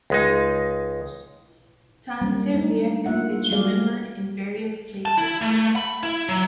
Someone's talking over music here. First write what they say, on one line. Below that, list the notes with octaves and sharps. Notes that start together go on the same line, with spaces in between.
Tante Riek is remembered in various places.
C#2 G#3 D#4
F#3 G3 A#3
A3 D4 D#4
A#3 F4 E5 F#5
F#3 G3 F#4 G#4 D5 F5
A5
E4
A3
B5
E4
F#3